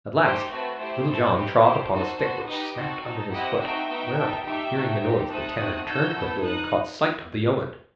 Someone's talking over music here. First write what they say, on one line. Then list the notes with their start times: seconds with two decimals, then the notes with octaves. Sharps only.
At last Little John trod upon a stick, which snapped under his foot, whereupon, hearing the noise, the Tanner turned quickly and caught sight of the yeoman.
0.22 A3 D#4 G4 C5
0.50 A3 C4 F#4 B4
0.79 A3 E4 G4 C5
1.07 A3 C4 E4 A4
1.35 D#4 G4 B4
1.63 A3 E4 G4 C5
1.92 D#4 F#4 A4 C5
2.20 B3 F#4 A4 C5
2.48 D#4 G4 B4 D#5
2.76 C4 D#4 F#4 A4
3.05 D#4 A4
3.33 C4 E4 G4 D#5 F#5
3.61 A3 C4 D#4 F#4 E5 G5
3.90 B3 D#4 F#4
4.18 D#4 A4
4.45 A3 D#4 G4 E5 G5
4.74 A3 D#4 F#4
5.03 C4 D#4 G4
5.31 A3 C4 D#4 A4 D#6 F#6
5.59 A3 C4 D#4 F#4
5.87 D#4 F#4 A4 E6 G6
6.15 B3 E4 A4
6.43 D#4 D#6 F#6